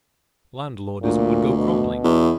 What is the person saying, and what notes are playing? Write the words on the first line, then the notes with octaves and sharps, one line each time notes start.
Landlordism would go crumbling.
D2 A#2
B2
E2